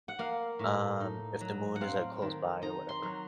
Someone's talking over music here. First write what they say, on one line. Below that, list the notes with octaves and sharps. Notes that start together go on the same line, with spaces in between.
um, if the Moon is, like, close by or whatever.
F#5
A#3 F5
A2
D#4
F#3
F#5
C4 F5
D#3
D#4 A#5
C6
F#3